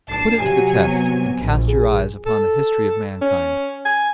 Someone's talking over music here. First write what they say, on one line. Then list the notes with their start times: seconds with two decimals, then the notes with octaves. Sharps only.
Put it to the test and cast your eyes upon the history of mankind.
0.11 D4 A5 C7
0.40 C3 F#3 G4 G#5
0.84 B3
1.38 A#1
1.69 G#4
2.26 A4
3.22 C#4
3.85 G#5